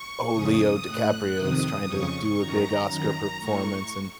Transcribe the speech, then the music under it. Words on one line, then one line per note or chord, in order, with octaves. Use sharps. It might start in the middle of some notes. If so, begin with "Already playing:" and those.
"Oh, Leo DiCaprio is trying to do a big Oscar performance," and,
Already playing: C#6
F2 C#3 D#6
A2 F#6
F2 C3 D#3 D#6
F2 C#3 C#6
F#2 D#3 A#5
F#2 D#3 A#5
A2 C#6